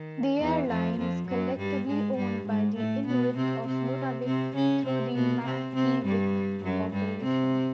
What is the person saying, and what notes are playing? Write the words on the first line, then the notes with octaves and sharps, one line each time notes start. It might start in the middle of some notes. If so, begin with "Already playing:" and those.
The airline is collectively owned by the Inuit of Nunavik through the Makivik Corporation.
Already playing: D#3
E2 E3
F2 F3
F2 F3
F#2 F#3
G2 G3
G#2 G#3
G2 G3
G#2 G#3
A2 A3
B2 B3
C3 C4
C3 C4
C3 C4
C#3 C#4
C3 C4
B2 B3
C3 C4
C3 C4
G2 G3
F#2 F#3
G2 G3
C3 C4